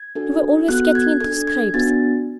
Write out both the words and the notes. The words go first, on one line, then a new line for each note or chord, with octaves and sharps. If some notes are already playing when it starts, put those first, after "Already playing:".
You were always getting into scrapes.
Already playing: G#6
D4 F#4 A4
B3 F#4 A4 F#6
G#6
D4 A4 G#6
G#6
B3 D4 F#4 A6